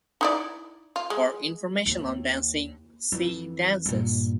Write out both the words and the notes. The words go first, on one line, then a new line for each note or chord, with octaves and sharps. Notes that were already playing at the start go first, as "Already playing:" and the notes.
For information on dancing, see "Dances".
D#4 E4 D5
F4
G#3
D#2
F2 E3
G2 A#2